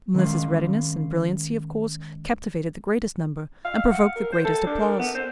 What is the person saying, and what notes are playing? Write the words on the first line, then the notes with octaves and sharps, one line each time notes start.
Mliss's readiness and brilliancy, of course, captivated the greatest number and provoked the greatest applause.
D#3 G#3 C#4 F5
F5
F#5
A#4
C5
A4
D4
A#4
B3
C5